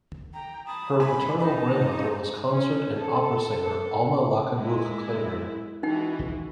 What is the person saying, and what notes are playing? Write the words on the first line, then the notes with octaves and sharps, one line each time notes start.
Her paternal grandmother was concert and opera singer Alma Lachenbruch Clayburgh.
G5 A#5
A5 B5 D#6
G#3 G#5 B5
C#4 D#4 A5
C#4
A4
G#3 E4
E3 G#3 D#4 F#4 G5